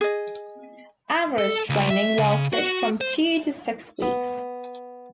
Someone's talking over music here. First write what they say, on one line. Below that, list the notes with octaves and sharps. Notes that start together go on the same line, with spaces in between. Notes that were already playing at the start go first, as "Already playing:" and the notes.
Average training lasted from two to six weeks.
G#4 D#5
A4
C#2
E5
C#3
F#4
C5
B3